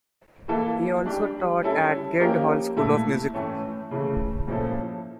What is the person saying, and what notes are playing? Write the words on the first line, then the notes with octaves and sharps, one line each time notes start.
He also taught at Guildhall School of Music.
E3 A#3 E4 A4
G3 D4 G4
G3 C#4 E4 A4
F3 A#3 C#4 G4 A#4
A#2 A3 E4 A4
A2 E3 A3 C#4
C#3 E3 A3
A#2 F3 C#4 E4 A4